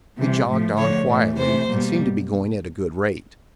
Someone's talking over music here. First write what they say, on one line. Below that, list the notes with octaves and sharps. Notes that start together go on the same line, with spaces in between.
We jogged on quietly--and seemed to be going at a good rate.
C3 E3 G3
A2 F3 A3
D3 F3 A3 C#5
A2 E3 A3
C3 E3 A3 C5
B2 G3 A#3